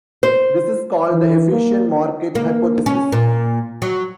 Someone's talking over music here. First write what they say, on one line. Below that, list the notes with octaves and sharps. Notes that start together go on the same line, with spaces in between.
This is called the efficient-market hypothesis.
C5
E3
A#3
A#3
C#4
A#2
F#3